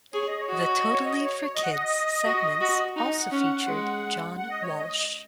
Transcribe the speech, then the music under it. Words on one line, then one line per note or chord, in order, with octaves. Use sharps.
The "Totally For Kids" segments also featured John Walsh.
G#4 C#5
D#5
C#5
F#4 D#5
C#5
D#5
C#5
D#5
C#5
D#5
F#5
D#5
F#4
F#4
D#4 F#5
D#5
F#5
C#4
G#3
F#5
D#5
C#5
D#5